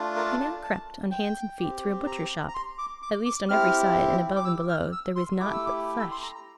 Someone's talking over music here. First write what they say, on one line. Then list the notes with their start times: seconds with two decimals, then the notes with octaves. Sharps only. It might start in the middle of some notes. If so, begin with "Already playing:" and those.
He now crept on hands and feet through a butcher's shop; at least on every side, and above and below, there was nought but flesh.
Already playing: A3 D4 F4
0.16 A#4
0.40 A5
0.64 A5
1.11 G5
1.59 C4 G4
2.07 A#5
2.48 A#5
2.54 C6
2.78 D6
3.02 D6
3.26 D6
3.49 C4 E4 G4 F6
4.36 D6
4.45 E6
4.69 F6
4.93 E6
5.16 C6
5.40 A3 E4 G4 D6
5.53 E6
5.66 D6
6.00 E6
6.11 C6
6.23 A#5
6.35 A#5